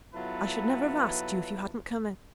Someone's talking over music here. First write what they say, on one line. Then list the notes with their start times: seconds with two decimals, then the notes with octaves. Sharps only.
'I should never have asked you, if you hadn't come in.
0.15 F#3 B3 E4 F4 A4 B4